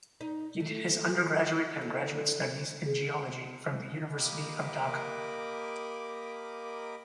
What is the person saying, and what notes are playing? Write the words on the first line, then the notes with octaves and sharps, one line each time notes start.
He did his undergraduate and graduate studies in geology from the University of Dhaka.
D#4
A3
G#4
D3
G#4
A#3 G4 A#4 D#5 B5 D6